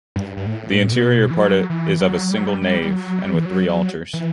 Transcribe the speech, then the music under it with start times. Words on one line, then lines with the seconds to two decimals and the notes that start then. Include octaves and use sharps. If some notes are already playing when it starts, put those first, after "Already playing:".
The interior part is of a single nave and with three altars.
0.16 G2
0.37 G2
0.47 A2
0.88 A2
0.92 B2
1.31 E3
1.38 F#3
1.70 E3
2.00 F#3
2.31 G3
2.38 F#3
2.47 G3
2.62 G3
2.82 G3
2.91 F#3
3.22 G3
3.34 E3
3.45 F#3
3.69 F#3
4.13 E3